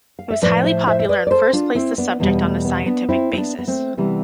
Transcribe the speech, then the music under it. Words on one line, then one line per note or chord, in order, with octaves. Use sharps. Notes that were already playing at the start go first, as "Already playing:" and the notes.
It was highly popular and first placed the subject on a scientific basis.
F5
E5
A2 F3 B4 D5
C5 E5
C5 E5
E5
B4 D5
D5
A4 C5
D4 F4
C4 E4
B3 D4
E2 B2 G3 B3
A3
B3
B3 D4
C4 E4
C4
B3 D4
B3
A3 C4
C3 E3 G3 B3